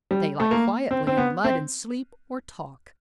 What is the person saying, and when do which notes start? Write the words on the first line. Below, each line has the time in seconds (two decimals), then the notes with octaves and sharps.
They lie quietly in the mud and sleep or talk.
0.11 G3
0.40 A3
0.51 A#3
0.91 C4
1.07 C4
1.17 B3
1.44 C4